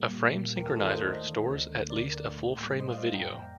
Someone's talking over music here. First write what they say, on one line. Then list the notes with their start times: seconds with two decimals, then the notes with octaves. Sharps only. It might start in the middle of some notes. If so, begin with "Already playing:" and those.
A frame synchronizer stores at least a full frame of video.
Already playing: A#2 G3 A#3
0.11 A#2
0.34 G3 A#3
0.56 D#2 G4 A#4
0.67 F4 A4
0.78 D#3 A3 A#4 D5
0.90 C5 D#5
1.02 D#2
1.24 D#3 A3
1.46 D2
1.68 D3 A3
1.90 D2 A#4 D5
2.13 A3
2.18 D3
2.36 A2
2.57 G3 A#3
2.80 A2 C5 D#5
2.91 D5 F5
3.03 G3 A#3
3.14 G5 A#5
3.25 F2